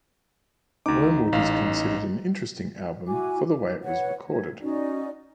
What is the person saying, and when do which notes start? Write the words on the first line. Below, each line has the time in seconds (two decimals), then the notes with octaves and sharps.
Wormwood is considered an interesting album for the way it was recorded.
0.86 D2 D#4 D6
1.33 A1 F5
3.07 E4 F#4 G#5 D6
3.47 D6
3.83 B4 C#5 F#5
4.30 G#6
4.61 C#4 D#4 F#4 D5